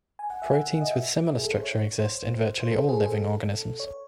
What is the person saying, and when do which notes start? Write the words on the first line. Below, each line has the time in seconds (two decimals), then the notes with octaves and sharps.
Proteins with similar structure exist in virtually all living organisms.
0.19 G#5
0.30 F#5
0.42 E5
0.53 F#5
0.81 D#5
0.91 E5
1.35 G#4
1.44 A4
1.53 C5
1.63 C#5
1.99 C5
2.60 C5
2.71 A4
2.89 G#4
3.01 G#4
3.07 A4
3.80 C#5